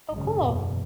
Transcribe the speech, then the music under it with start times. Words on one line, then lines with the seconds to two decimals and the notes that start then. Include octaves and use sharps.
Oh, cool.
0.12 G#1 F#2 C#3
0.44 F#1 E2 B2